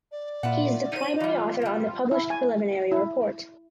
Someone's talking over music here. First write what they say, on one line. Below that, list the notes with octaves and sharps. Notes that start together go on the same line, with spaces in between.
He is the primary author on the published preliminary report.
D5
A#2 E4 F4 F#5
D#4 C5 D#7
E3 G3 F4
C3 G3
E4
G#5
E4